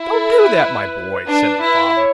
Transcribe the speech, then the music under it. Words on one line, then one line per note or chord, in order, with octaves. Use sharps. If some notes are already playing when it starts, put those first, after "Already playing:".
"Don't do that, my boy," said the father.
Already playing: E4
A4
A4
B4
D4
E4
C#5